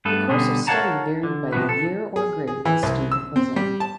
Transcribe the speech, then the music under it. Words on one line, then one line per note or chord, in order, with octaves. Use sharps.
The course of study varied by the year or grade the student was in.
G2 A3 B3 A4 B4
B2 D3 G3 G#4
A#4 C#5 F5 F#5 A5 A#5
D3
C3 F3 F#3 D#4 F#4 B4
A4
G#4
G#4
E3
C2
E6
C4
G3
A5